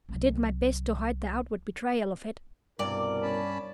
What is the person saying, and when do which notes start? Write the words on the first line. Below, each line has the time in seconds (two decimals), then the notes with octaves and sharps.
I did my best to hide the outward betrayal of it.
0.09 C2 F#3
2.79 C2 G2 B2 A#4 D5
3.22 C#4 A5 B5